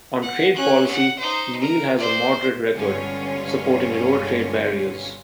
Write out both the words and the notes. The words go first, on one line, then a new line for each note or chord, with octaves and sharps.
On trade policy, Neal has a moderate record, supporting lower trade barriers.
F#5
C#4 F#6
F#5
D#4 C5
A#4
C5 D5
G1 C#2 B2 D3 C#4 F4